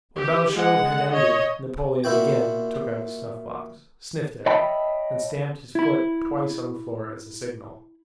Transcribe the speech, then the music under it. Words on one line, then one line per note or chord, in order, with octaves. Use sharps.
When Balashev had ended, Napoleon again took out his snuffbox, sniffed at it, and stamped his foot twice on the floor as a signal.
G4
G#3 F#5
C#5 D#5
A#2 E4 F#4 G5
C#5 D#5 E5 G5 A5 B5
E4 B5